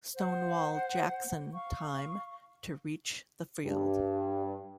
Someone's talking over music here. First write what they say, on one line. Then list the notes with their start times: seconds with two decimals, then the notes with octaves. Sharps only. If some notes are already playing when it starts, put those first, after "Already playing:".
"Stonewall" Jackson time to reach the field.
0.16 C5 F#5
1.54 F5 C#6
3.65 G2